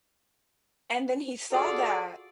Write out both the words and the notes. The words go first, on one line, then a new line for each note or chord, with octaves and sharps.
And then he saw that
F4 F#4 G#4 A4 D5